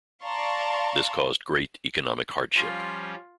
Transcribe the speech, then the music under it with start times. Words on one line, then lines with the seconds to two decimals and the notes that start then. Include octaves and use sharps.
This caused great economic hardship.
0.23 D5 F5 A5 A#5 C6 C#6
2.56 F3 G3 C#4 F4